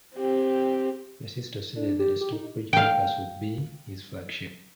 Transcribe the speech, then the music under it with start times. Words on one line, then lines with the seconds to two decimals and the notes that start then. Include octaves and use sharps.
DeSisto stated that the Stockbridge campus would be his "flagship".
0.16 C4 G4
1.76 D4
1.99 G4
2.21 G4
2.33 D#4
2.73 F5 G5